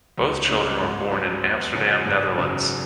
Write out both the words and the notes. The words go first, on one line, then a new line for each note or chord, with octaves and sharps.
Both children were born in Amsterdam, Netherlands.
C#2
C#3 G#3 C#4
G#2
F#3 C#4 F#4
E2
C#3 F#3 C#4 F#4
G#1
F#2 C#3 F#3